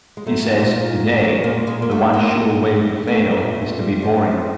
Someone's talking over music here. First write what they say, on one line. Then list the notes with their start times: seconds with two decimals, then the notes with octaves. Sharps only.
He says, Today, the one sure way to fail is to be boring.
0.17 G#3
0.26 F#3 A3
0.49 A#2
0.73 A#2
0.97 F#3
1.20 F#3 A3
1.44 A#2 G#3 A#3
1.66 A#2 G#3 A#3
1.82 A#3
1.91 F#3 A3
2.14 G3 G#3 A#3
2.37 A#2
2.62 A#2
2.84 G3
3.08 G3 A3 B3
3.32 A#2
3.55 A#2
3.78 G3
4.02 F3
4.25 A2